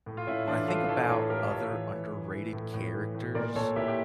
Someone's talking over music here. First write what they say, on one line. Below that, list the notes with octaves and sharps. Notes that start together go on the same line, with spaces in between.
When I think about other underrated characters
A2
F4
A2 C#4 E4
E3 D4 F4
E3 F4 A4
E3 A4 C#5
A2 A4 C#5
A2 G4 A#4
A2 A4 C#5
E3
E3
E3
E3
A2
A2
E3
A2
A#2 A#4 D5
A#2 A4 C#5
A#2 E4 G4
G4